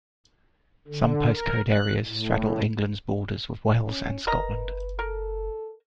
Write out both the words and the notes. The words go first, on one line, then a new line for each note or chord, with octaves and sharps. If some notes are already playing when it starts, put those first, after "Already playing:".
Some postcode areas straddle England's borders with Wales and Scotland.
D3
A#4
F#6
A2
C#4
F#1 A#4 B4 D#5 A#5
A4 A#4